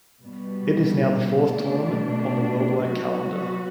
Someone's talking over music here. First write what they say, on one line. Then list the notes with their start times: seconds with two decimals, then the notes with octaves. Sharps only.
It is now the fourth tournament on the worldwide calendar.
0.22 B2 G3 B3
1.53 B2 A3 D4
2.83 F#3 B3 F#4